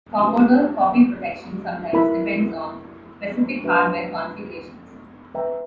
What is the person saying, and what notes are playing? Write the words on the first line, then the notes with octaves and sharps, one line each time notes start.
Commodore copy protection sometimes depends on specific hardware configurations.
C#4 G4 B4
E4 A#4 E5 B5
D4 F#4 B4 E5
B4 E5 G5 A#5